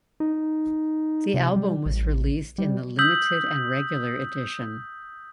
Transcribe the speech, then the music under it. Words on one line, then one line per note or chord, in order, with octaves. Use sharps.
The album was released in the limited and regular edition.
D#4
C3
G3
A1
G3
D#6 E6 G6 B6 F#7